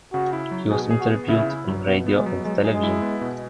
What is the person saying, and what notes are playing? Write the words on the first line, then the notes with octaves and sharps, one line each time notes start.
He was interviewed on radio and television.
C#3 F#4
E4
F#3
B2 G#4
G#4
F#4
B3
C#3 E4
E4
F#3
B2 B3
B3
G#3
F#3
F#3 G#3
G#4
G#3
E4
B3
B2